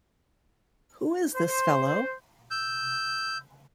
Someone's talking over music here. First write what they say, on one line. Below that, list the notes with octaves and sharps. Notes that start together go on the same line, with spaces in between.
Who is this fellow?
C5
E6 G6